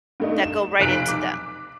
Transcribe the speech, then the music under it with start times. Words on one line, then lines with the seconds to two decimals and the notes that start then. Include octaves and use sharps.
that go right into them,
0.20 G2 A3 D#4
0.44 E7
0.79 F1 B1 F#6 B6 D7
1.09 D6